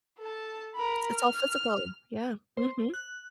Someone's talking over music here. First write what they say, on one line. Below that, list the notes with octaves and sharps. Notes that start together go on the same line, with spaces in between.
It's all physical. Yeah, mhm.
A4 A5
A#4 B5
F6
C5
F#6